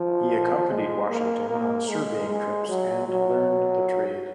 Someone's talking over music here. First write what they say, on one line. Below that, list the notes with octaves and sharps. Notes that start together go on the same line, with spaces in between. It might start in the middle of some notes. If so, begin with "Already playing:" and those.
He accompanied Washington on surveying trips and learned the trade.
Already playing: F3
G#3
A#3
A#3
G#3
G#3
F#3
F#3